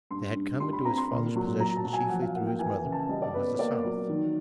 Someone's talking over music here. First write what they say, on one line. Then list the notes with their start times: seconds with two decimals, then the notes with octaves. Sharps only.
They had come into his father's possession chiefly through his mother, who was a South.
0.11 G2 C6
0.35 G2
0.60 G3 C6
0.73 B5
0.85 C4 A#5
0.97 C6
1.10 A#2
1.35 F#3
1.60 F#3 A#5
1.77 A5
1.85 F#3
1.93 G#5
2.09 F3 F#5
2.22 F5
2.35 A#3 F#5
2.47 G5
2.59 E3 G#5
2.76 G#5
2.84 C#3
2.92 A5
3.09 G3 D#5
3.22 D5
3.34 B3 B4
3.47 C#5
3.59 A#3 D5
3.84 F#3
4.09 D#3